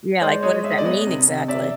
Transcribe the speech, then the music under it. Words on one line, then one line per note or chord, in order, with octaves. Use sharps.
Yeah, like what does that mean exactly?
G#3 C5 D5
G#3 C#5 D#5
G#3 E5
D#5
D5
B3 C#5 D#5
C3
C3
C3 D5 E5